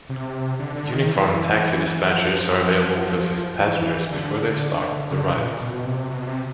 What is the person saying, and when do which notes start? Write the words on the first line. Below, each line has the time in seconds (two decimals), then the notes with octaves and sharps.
Uniformed taxi dispatchers are available to assist passengers before they start the rides.
0.09 C3
0.59 D3
0.76 D3
0.92 D#3
1.09 E3
2.10 F3
2.60 F3
3.60 E3
4.10 D3
5.11 C#3
5.18 D3
5.26 C#3
5.35 A#2
5.60 B2
5.86 C3
6.10 B2
6.27 C3